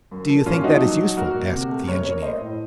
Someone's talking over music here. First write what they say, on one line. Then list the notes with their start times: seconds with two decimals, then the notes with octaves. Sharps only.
"Do you think that is useful?" asked the engineer.
0.11 F#2
0.29 F3
0.46 A#2 C#4 F4
0.63 F3 D#4 F#4
0.82 F#3
0.99 F#3
1.17 A#3 F#4 A#4
1.35 A#2
1.52 C3
1.69 A3
1.87 F#2 A#4 C#5
2.05 A#3 A#4 C#5
2.22 A3 C5 D#5
2.41 A2